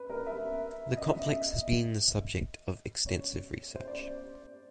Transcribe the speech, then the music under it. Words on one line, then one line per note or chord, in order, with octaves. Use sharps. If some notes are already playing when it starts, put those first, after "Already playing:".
The complex has been the subject of extensive research.
Already playing: B4
A#4
E5
D#5
E5
D#5
C#5
C5
D5